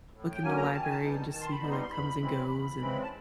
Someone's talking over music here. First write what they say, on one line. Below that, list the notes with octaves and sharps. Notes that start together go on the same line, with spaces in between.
look in the library and just see who," like, "comes and goes and
A2
G5
F#3 A#3 C#4 G#5
A#5
D#3 A5
G#5
A5
G3 B3 D#4
D#3 A5
C6
B5
G3 B3 D#4
C6
C6
E2 B5
C#3 E3 G#3 C4
E2
C#3 E3 G#3 C4
A5